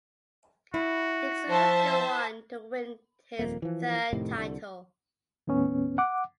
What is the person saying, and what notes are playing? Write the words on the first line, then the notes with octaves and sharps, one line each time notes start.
Dixon would go on to win his third title.
E4 F#4
F3 C5 E5 A5
D#1 F2 A#3
E3 F3
F1 A2 C3 D#3
C2 D3
D#2 A2 B3 C#4
F#5 D6